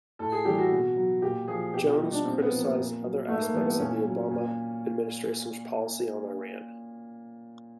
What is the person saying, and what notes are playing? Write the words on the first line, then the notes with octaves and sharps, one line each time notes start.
Jones criticized other aspects of the Obama administration's policy on Iran.
A2 A4
G#4
E3 G3 G4
F#4
B2
F#3
A#2 G4
F3 G#4
B2 G4
F4
G3 D#4
D4
A#2 C4
B3
F3
A#3
A#2
F#3
G#2 A3
A#3
E3 G3 B3
B3
A#2 C#4
F#3
A#2